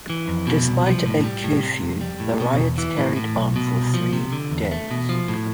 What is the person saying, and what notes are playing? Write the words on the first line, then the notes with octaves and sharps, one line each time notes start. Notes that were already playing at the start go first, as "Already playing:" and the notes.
Despite a curfew, the riots carried on for three days.
E3
F2
B2
C2
F3
A2
G3
A2
C3
F2
G3
A2
B2
E2
E3
A2
A2
B1
B2
C2
F3
C3
D3
E2
A3
B2
F3
A2